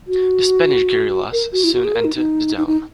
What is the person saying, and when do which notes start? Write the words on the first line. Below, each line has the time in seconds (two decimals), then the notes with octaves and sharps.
The Spanish guerillas soon enter the town.
0.07 F#4
1.33 A#4
1.52 F#4
1.64 E4
1.74 F#4
1.85 G#4
1.95 A#4
2.05 D#4
2.15 D#4
2.57 D#4
2.67 D#4